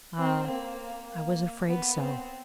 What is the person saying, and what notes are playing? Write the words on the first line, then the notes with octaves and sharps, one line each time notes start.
Ah, I was afraid so.
C4
A#3
A#3
B3
C4